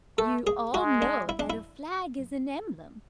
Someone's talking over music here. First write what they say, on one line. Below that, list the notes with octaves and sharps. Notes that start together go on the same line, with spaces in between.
You all know that a flag is an emblem.
A3 A4
G#4
G#3 F#4
D4
E4
D4
E4